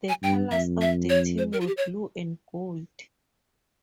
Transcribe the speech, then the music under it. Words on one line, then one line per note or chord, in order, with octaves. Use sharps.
The colors of the team were blue and gold.
G#5
G2 G5
F2 E5
E5
C#5
C5
A#4
F4
G4
C#5